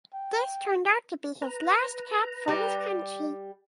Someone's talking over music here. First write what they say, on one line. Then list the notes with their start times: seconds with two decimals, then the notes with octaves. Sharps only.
This turned out to be his last cap for his country.
0.13 G5
1.42 B4 A#5
2.48 G3 G4